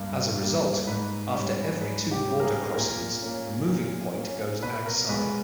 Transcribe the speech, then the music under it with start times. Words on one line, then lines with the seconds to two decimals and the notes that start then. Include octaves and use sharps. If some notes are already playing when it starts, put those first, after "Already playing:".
As a result, after every two "border crossings" the moving point goes outside.
Already playing: G2 G3 A#3
0.40 G3 A#3
0.87 G#2 B4
1.34 G3 C#4
1.81 G#2 B4
2.11 G4
2.27 G3 C#4
2.40 A#4
2.44 G#4
2.62 G#4
2.74 A#2 A#4
3.22 A#3 C#4
3.69 A#2
4.16 A#3 C#4
4.62 B2 B4
4.86 A#4
5.09 G#3 B3 B4